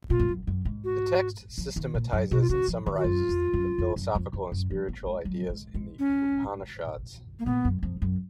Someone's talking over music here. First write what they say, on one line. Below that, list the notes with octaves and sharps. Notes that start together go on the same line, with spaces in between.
The text systematizes and summarizes the philosophical and spiritual ideas in the Upanishads.
A#2 F4
F2
F#2
F#2
G#2
F#4
F3
D#3
A#2
F#2
B2 F#4
F4
C#3 F#4
F3
D#3
F#4
F#2 F4
F2
F#2
F2
F#2
F2
F2
F#2
F3
B3
G#3
F#3
G#3
G#3
C#4
A#3
A#2 B3
F#2
F2
F#2